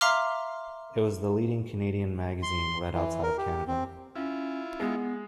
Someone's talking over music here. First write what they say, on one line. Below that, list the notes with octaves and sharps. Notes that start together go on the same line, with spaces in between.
It was the leading Canadian magazine read outside of Canada.
E5 F5 A#5 C6 D6 F6
C6
E3
A#4
G4
C4
C#4 E4 F4
G#3 B3